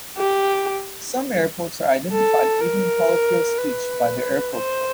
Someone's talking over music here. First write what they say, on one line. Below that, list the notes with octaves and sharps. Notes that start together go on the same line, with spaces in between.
Some airports are identified even in colloquial speech by their airport code.
G4
A4
A#4
B4
C5